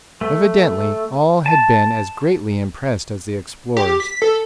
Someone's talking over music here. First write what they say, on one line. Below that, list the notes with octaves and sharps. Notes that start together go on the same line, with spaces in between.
Evidently all had been as greatly impressed as the explorers.
A3
A5
G4
B6
A4